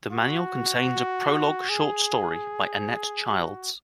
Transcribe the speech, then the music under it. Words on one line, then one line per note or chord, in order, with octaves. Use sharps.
The manual contains a prologue short story by Annette Childs.
F#4
G#4
F#4